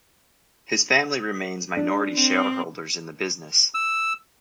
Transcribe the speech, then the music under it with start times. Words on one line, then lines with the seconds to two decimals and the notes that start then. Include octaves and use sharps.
His family remain minority shareholders in the business.
1.77 D4
2.15 C4
3.74 E6